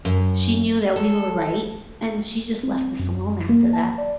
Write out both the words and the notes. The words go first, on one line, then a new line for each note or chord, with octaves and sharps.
she knew that we were right and she just left us alone after that.
F#2
A4
C4
F#2
A#3
A5
D5